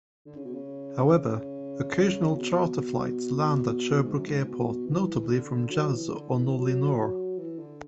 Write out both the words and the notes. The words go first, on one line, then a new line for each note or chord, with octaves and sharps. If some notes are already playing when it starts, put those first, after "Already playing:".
However, occasional charter flights land at Sherbrooke airport, notably from Jazz or Nolinor.
D3
C#3
B2
C#3
C#3
B2
G#2
F#2
G#2
B2
E3
D3
F#3
E3
D3
E3
F#3
F#3
E3
D3